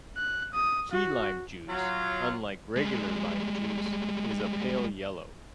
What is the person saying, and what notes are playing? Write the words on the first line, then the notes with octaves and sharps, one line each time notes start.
Key lime juice, unlike regular lime juice, is a pale yellow.
F#6
D#6
F#4
F#3 F4
G3 G#3